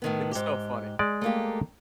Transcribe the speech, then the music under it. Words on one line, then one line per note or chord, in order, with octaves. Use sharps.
It's so funny.
A2 D#3 B3
G#2 G4
G#3 D5
A3 A#3 G4